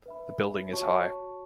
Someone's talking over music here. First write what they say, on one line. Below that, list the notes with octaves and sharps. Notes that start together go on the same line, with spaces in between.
The building is high.
B4 E5 B5
F#4 C#5 A5 C#6